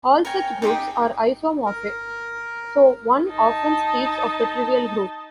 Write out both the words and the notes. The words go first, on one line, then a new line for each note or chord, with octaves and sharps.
All such groups are isomorphic, so one often speaks of "the" trivial group.
A#4 C#5 G5 G#5
D#4 G4 G#4 G5
A#4
D#4 A5